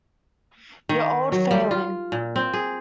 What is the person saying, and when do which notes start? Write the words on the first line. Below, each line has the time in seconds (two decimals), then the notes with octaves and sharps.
Your old failing.
0.89 D#3
1.32 F#3
1.51 G3
1.71 F4
2.12 A#2
2.36 C4
2.54 G#4